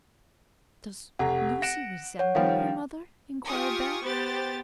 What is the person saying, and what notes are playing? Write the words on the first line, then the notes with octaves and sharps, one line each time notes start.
"Does Lucy resemble her mother?" inquired Beth.
F1 G4 F#5 A#5
F#5 A#6 D7 E7
C#5 F#5
D#3 F3 G3 F5 G5
F4 G4 G#5 C#6 D#6
B3 G4 C5 A6